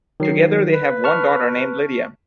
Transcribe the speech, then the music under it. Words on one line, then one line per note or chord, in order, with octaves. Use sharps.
Together they have one daughter named Lydia.
D#3 F#3 C7
B4
A5 C#6 F6